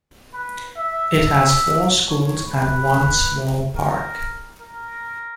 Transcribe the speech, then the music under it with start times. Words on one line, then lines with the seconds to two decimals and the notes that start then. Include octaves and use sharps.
It has four schools and one small park.
0.34 B4
0.77 E5
1.19 E5
2.05 C#5
2.48 B4
3.76 A#4
4.61 A#4